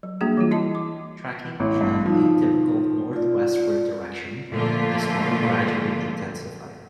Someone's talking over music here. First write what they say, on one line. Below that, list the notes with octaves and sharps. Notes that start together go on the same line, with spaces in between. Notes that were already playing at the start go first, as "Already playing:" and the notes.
Tracking in an atypical northwestward direction, the storm gradually intensified.
F#3
G3 A#3 D4 F#4 G#4
E3 G3 F4
E4 D#5 A5
D6
A1
G2
F3 D#4
F4 D5
A#2 D3 F3 A3 F4